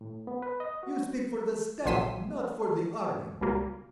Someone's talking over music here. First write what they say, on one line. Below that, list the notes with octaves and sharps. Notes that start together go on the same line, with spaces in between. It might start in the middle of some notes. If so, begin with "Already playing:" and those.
"You speak for the Staff--not for the Army!"
A2
B3
B4
D#5
F#4
A#1 F#3 C6 B6 D#7 E7
C#2 B2 G3 A#3